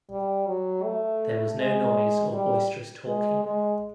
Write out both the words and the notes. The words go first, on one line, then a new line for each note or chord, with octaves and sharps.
There was no noise or boisterous talking.
G3
F#3
A3
G#3
G3
G#3
G#3